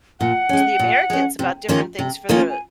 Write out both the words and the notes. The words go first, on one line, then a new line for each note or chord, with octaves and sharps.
to the Americans about different things for the
A#2 F#5
G#3 C#4
A#2
G#3 C#4
C3
D#3 A#3 C#4 F4
C3
D#3 A#3 C#4 F4
G#5